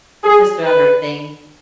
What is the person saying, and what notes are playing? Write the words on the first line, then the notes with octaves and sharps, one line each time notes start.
It's just another thing.
G#4
B4